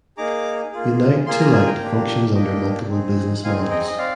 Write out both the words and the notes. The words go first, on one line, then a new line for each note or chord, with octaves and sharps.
Unite to Light functions under multiple business models.
A#3 D#4 G#4 A#5 D6
A#3 F4 G#4
A#3 F4 G#4 C6
A#5
G#5
G5 A#5
A#3 D4 G4
A#3 D4 G4 D#5 G5
C4 D#4 G#4
C4 D#4 G#4 F5 G#5
D#5 G5
D#5
C4 D5 F5